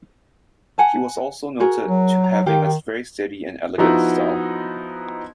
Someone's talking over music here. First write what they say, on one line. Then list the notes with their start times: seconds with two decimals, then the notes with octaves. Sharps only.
He was also noted to having a very steady and elegant style.
0.78 F#5 G#5 A5
1.60 F#4 G#4 A#4
1.86 F#3
2.24 A#5
2.46 D#3 G4 F5
3.78 F3 B3 D#4 E4 F#4 D#5